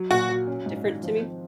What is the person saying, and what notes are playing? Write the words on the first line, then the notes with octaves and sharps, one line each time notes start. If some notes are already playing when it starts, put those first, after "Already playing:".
different to me.
Already playing: F#3
A#2 F#4
F#3
C#4
G#2
D#3
F3
C4